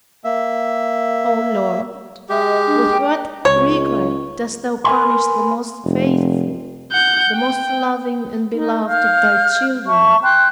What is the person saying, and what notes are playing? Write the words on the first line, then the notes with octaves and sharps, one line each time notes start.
O Lord! with what rigor, dost Thou punish the most faithful, the most loving and beloved of Thy children.
A#3 E5
G#3 G4 E5
D#5
D4
G5
C#2 C#5
A#4 B4 E5 G#5 B5 C6
F1
F#5 G6
G5
D#4
F5 F6 G6
E5 A5 C#6
G5 C6 F#6